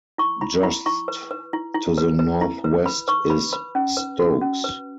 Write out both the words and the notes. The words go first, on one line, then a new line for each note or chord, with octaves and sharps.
Just to the northwest is Stokes.
E4 C#6
E4 B5
E4 B5
E4 C#6
B4
B4
E4
E4
B4
B4
E4
B4
B4 B5
B4 C#6
B4 B5
B4 B5
C#4
B4
F#4
C#4
B4